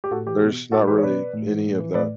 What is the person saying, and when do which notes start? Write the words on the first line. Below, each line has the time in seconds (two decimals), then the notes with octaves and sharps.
There's not really any of that
0.04 G4
0.11 A2 F#4 A4
0.26 E3 G4
0.42 B2
0.72 A2 F#4 A4
0.87 E3 G4 B4
0.98 C#5
1.03 B2 B4 D5
1.33 A2
1.48 E3
1.64 A2
1.79 E3
1.94 A2 B4 D5